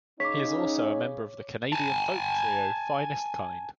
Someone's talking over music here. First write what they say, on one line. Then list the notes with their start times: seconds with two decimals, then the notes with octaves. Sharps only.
He is also a member of the Canadian folk trio Finest Kind.
0.20 C#3 C#4 D#4 C#5 D6 B6
1.73 G#5 A5